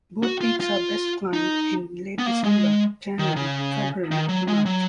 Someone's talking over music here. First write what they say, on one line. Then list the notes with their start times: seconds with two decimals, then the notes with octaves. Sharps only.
Both peaks are best climbed in late December, January, February and March.
0.23 F#4
0.41 F4
0.60 F4
1.33 D#4
2.19 B3
2.26 A#3
2.44 G#3
3.19 D#3
3.36 C#3
4.11 D#3
4.29 F#3
4.48 G#3
4.66 F#3